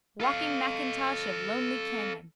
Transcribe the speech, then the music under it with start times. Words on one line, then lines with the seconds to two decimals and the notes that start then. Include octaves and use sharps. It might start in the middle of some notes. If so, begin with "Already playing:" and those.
Walking Mackintosh of lonely canyon.
0.21 A4 F5